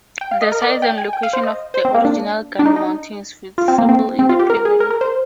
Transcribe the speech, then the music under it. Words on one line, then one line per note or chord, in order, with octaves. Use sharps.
The size and location of the original gun mounting is visible in the paving.
G5
F5
D#5
A#4
D5
D#5
G5
G#5
G5
F5
C5
D#5
C5
C4
A#3
D4
D4
D#4
D#4
F4
C4
A#3
C4
C4
F4
G4
A#4
G#4
A#4
A#4
C5